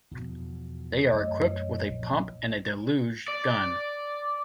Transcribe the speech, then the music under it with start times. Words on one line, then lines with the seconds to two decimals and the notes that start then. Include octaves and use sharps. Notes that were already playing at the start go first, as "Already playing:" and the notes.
They are equipped with a pump and a deluge gun.
0.11 E2 B2 F3
1.13 F#2 A3 C#5 D#5
1.88 A#1
3.28 D5